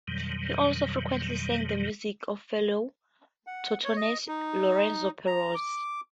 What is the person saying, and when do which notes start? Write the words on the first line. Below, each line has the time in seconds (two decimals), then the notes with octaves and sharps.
He also frequently sang the music of fellow Tortonese Lorenzo Perosi.
0.08 F2 B2 D#3 F#3 G3
3.47 F#5
3.84 C#5
3.96 D#5
4.28 D#4
5.26 A#5
5.55 D6